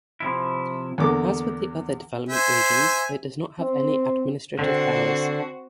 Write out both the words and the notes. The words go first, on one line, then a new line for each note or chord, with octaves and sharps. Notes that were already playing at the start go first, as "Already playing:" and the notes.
As with the other development regions, it does not have any administrative powers.
C3 F3 E4
E2 D3 A#3 D6
C5 E5 G#5
C4
D3 C4 F#4